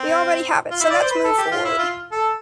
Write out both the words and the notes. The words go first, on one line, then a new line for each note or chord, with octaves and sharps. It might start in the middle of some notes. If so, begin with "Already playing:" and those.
We already have it; so let's move forward.
Already playing: C4
F4
E4
D5
C5
B4
A4
G4
F4
E4
F4
A4